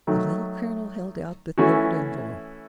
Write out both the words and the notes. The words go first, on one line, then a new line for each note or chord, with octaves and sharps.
The Little Colonel held out the third envelope.
D#3 F#3 A3
E3 A3 C#4 F#4